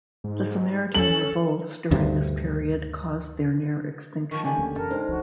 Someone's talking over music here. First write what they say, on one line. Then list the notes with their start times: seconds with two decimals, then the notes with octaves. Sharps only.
The Samaritan Revolts during this period caused their near extinction.
0.24 G#2
0.95 C#4 A4 F#7
1.91 D2 G2 C3
4.31 D#3 F3 C#6
4.44 D3 G3 C#4 G#5
4.58 D2 A3 A#3
4.75 F#2 C3 E3 A4 A#4
4.91 G#3 D4 D#4 C5
5.09 D1 C2 E3 F#4